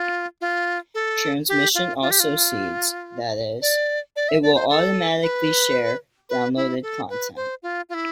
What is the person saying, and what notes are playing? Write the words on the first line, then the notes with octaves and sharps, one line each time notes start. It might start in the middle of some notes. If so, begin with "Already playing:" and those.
Transmission also seeds, that is, it will automatically share downloaded content.
Already playing: F4
F4
A4
G4
F4
F4
G4
F4
D5
D5
E5
D5
C5
A4
B4
B4
E4
A4
B4
C5
F4
F4
E4